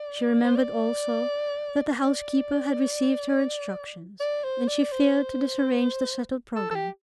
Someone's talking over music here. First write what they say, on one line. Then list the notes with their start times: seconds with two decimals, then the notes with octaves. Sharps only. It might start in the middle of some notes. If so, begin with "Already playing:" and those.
She remembered also that the housekeeper had received her instructions, and she feared to disarrange the settled programme.
Already playing: D5
0.45 C5
0.56 D5
2.02 D5
4.20 D5
4.44 C5
4.68 D5
4.92 C5
6.56 A4
6.71 A4
6.75 G4